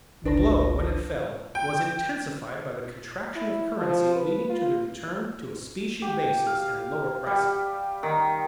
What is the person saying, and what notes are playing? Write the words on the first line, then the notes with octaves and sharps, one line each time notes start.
The blow, when it fell, was intensified by the contraction of currency leading to the return to a specie basis and lower prices.
G1 C#2 D4 B4 A5 A#6
G5
E4
F3
B4
F4
G4
F5
G3
D#3